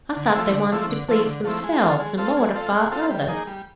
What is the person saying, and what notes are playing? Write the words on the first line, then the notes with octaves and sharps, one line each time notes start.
I thought they wanted to please themselves and mortify others.
D3
F3 A3 C4 E4
D3
F3 A3 C4 E4
D3
F3 A3 C4 E4
D3
F3 A3 C4 E4
G#3
C4 F4 A4
G#3
C4 F4 A4
G#3
C4 F4 A4
G#3
C4 F4 A4
G3
A#3 D#4 G#4
G3